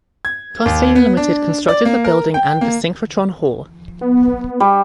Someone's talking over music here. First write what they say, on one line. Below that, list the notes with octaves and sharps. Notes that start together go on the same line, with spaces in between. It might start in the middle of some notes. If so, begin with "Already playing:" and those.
Costain Limited constructed the building and the synchrotron hall.
G#6
D#2
B3
D4
D5
A#3
A#4
G5
A#3
B3
G3